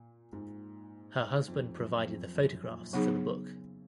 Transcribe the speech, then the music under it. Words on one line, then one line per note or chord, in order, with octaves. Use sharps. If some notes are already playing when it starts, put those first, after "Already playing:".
Her husband provided the photographs for the book.
Already playing: A#2
G#2
G#2
F2
F#2
F2
F#2
A#2
C#3 F#3 B3 D#4 G#4